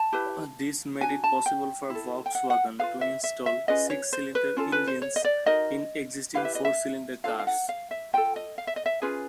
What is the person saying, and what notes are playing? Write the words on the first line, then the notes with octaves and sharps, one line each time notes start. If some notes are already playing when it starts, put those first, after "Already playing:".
This made it possible for Volkswagen to install six-cylinder engines in existing four-cylinder cars.
Already playing: A5
E4 G4 B4
D4 F#4 G#5
A5
G5
E4
A4
G5
F#5
F#5
F4 G#4 B4 F5
E5
E5
E5
C#4 F4 G#4 B4 D#5
C#5
C5
B4
C#4 F4 A4
B4
C5
C#5
D#5
D5
D#4 F#4 A#4 D#5
E4 G4 B4 F5
E5
D#5
E5
D4 F4 A4 F5
F5
F#5
F5
E5
F4 A4 G5
D#5
F5
E5
D#5
E5
C#4 F4 G#4 B4